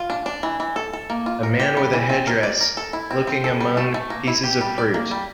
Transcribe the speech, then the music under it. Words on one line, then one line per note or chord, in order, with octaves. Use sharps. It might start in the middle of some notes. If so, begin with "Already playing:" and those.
A man with a headdress looking among pieces of fruit.
Already playing: F4
D4
D4
E3
E3
A4
A4
A#3
F4
A#4
G4
G3
E3
C4
A#4
D5
A#4
A4
E4
C4
C4
A4
G3
A3
A3
A#3
E4
G4
G3
D5
A#3
G3